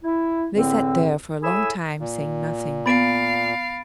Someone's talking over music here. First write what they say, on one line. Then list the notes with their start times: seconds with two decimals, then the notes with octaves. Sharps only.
They sat there for a long time, saying nothing.
0.03 E4
0.54 E2 A2 D3 C4
1.42 A2 G#4 A4 G#5 B5 E6
2.00 A#2
2.86 B3 F5 B5 A6 D7